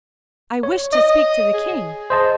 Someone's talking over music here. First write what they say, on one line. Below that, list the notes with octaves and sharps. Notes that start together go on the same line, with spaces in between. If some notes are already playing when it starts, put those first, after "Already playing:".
I wish to speak to the King.'
C#5
D#5
G#4
C5 D#5 A5